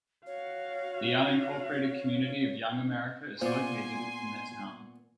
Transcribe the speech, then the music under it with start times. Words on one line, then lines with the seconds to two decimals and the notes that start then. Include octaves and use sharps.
The unincorporated community of Young America is located in the town.
0.27 F#4 C#5 F5
3.41 A#2 B3 F4 C5 D5 G#5 C6